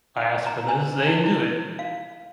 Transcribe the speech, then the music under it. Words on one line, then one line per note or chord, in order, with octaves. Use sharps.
asked for this, they didn't do it.
F#5
A#5
G#5
E4
E4
F5